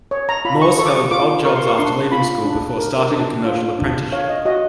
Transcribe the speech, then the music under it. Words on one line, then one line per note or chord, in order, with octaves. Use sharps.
Moers held odd jobs after leaving school before starting a commercial apprenticeship.
C#5
A#5
F4 B5
C#6
A4 C#6
D6
C#6
F4 D6
A#4 C#6
C6
C#6
D4 C6
F4 B5
D4
A#4
D4
F4
D4
C#5 F5
D#5
F#4 D#5